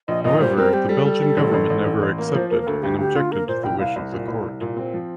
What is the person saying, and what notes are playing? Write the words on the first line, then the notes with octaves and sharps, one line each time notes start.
However the Belgian Government never accepted, and objected to the wish of the court.
A#1 D#5
A#2 D#5
G3 C5
C4 A#4
G3 G4
G3 A4
G3
G3
A1
A1
A1
A1
A1
A#3 A#4
F3 C5
A#3 A#4
A#4
D2 A4
D2 G4
D2 G4
D3 F4
A#3 A#4
A#2 C5
C2 G5
C2 F5
C2
A#2
C2
C2
A#2
C4
F3